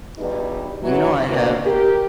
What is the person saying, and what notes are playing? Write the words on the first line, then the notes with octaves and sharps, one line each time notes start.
You know I have.
E2 G2 B2 G3 D#4
E3 F#3
A#3 C4 D4 F#4 B4
G4 A#4